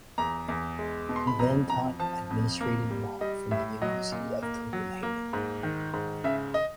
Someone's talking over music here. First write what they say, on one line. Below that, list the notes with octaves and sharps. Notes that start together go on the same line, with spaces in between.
He then taught administrative law from the University of Copenhagen.
E2 A#5
E2
G#3
B2
C6
B5
F2 A#5
F2 A#5
F3 A5
F2
A#3
G3
G3 D#5
A2 E5
F#3 D#5
A#2
A#3
F#3
A#3
G#2
D#3
G#2
C#3 E5
D#5